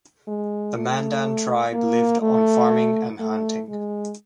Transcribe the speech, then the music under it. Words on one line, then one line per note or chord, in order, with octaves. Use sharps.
The Mandan tribe lived on farming and hunting.
G#3
A3
A#3
A3
A3
G#3